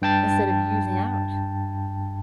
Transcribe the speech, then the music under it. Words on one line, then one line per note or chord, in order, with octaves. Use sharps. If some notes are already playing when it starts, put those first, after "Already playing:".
instead of using ours,
G2 G5 A5 A6